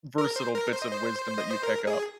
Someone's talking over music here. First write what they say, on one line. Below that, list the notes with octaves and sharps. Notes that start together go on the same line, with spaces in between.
versatile bits of wisdom that you pick up.
A#4
C5
A#4
C5
D#5
C5
D#5
C5
A#4
G#4